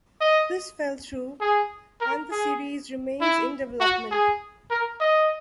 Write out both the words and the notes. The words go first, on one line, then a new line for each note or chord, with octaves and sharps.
This fell through and the series remains in development.
D#5
G#4
A#4
G#4
E4
F#4
G#4
A#4
D#5